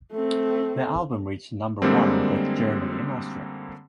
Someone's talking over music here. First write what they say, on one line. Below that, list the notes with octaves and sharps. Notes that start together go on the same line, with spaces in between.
The album reached number one in both Germany and Austria.
A3 C4
F#2 D3 G3 G#3 A#3 C4